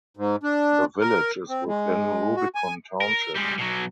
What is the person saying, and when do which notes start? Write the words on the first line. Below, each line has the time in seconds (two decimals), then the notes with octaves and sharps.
The village is within Rubicon Township.
0.17 G#2
0.43 D4
1.00 A#4
1.49 C4
1.68 G#3
2.36 F#4
2.55 G#5
3.01 A#4
3.36 G3 G#3
3.59 B2 F#3